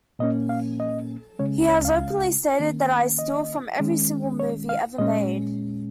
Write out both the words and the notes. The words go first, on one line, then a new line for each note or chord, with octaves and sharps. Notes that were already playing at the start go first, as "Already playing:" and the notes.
He has openly stated that I steal from every single movie ever made.
A#2 A#3 C#4 D#5
F5
D#5
C#3 G#3 C#4 C#5
C#5
F5
D#3 A#3 C#4
D#5
D#3 G#3 C#4
C#5
F5
A#2 G#3 C#4 D#5